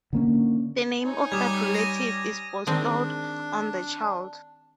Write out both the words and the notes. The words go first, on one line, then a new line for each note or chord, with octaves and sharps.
The name of that relative is bestowed on the child.
D3 A#3 C#4
D#4 C#5 G#5
G3 D6 D#6 G#6
G#6 A#6 D#7
D#3 G#3 C4 D4